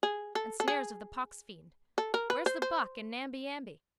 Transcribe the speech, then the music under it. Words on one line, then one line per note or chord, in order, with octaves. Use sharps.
And snares of the poxfiend. Where's the buck and Namby Amby?
G#4
A4
A4
G#4
A4
A#4
B4
C5
C5